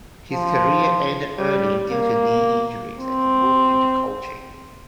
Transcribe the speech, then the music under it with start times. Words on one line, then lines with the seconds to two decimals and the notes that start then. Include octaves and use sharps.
His career ended early due to knee injuries, and he moved into coaching.
0.32 F3
1.39 G3
1.92 A#3
2.99 C4